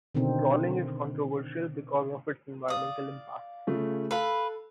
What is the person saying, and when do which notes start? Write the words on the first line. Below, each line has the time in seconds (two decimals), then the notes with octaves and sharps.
Trawling is controversial because of its environmental impacts.
0.15 B2 D3 D#3 C4 D#4
2.68 D5 F5 D#6
3.67 C#3 A3 F4
4.11 A4 B4 F5 B5